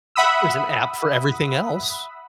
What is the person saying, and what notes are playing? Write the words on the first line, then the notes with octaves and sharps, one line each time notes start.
Th there's an app for everything else.
E5 F#5 B5 D#6 E6